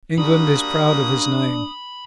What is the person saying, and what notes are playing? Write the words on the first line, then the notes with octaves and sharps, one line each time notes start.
England is proud of his name.
G3 A#3 D4 F#4 B5 D#6